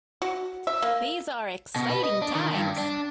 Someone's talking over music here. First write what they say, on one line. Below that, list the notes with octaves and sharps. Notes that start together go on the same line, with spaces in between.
These are exciting times.
F#4
E5
A#3
B2
B4
D#5
D4
D#3
G2
D4